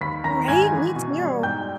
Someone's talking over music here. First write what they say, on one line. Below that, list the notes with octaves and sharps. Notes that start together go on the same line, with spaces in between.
Right? Me too.
D#2 B5 B6
D#3 A#5 A#6
G#2 G#5 G#6
E3
B2
G3
G#2 G5 G6